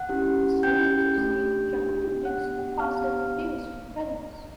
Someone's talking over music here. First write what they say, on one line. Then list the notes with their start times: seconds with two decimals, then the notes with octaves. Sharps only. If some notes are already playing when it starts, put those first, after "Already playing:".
The series has received generally mixed to positive reviews from critics.
Already playing: F#5 F#6
0.09 C#4 E4 G4
0.63 C#4 E4 G4 G5 G6
1.17 A3 D4 G4
1.71 A3 D4 G4
2.25 B3 D4 G4 F#5 F#6
2.79 B3 D4 G4 F5 F6